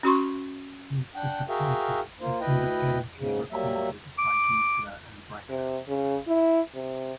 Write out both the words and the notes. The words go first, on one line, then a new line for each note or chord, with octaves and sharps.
His disappointment is independently recorded by Giesler and Breker.
C#4 F#4 C6 C#6
D4 F#5 G5
F#4 G#4 A#4 E5 F5 G5
A#3 F4 C5
D2 E4 B4 D#5 G5
G#2 C#3
F#3 G3 A#3 E5
D6
C3
C#3
E4
C3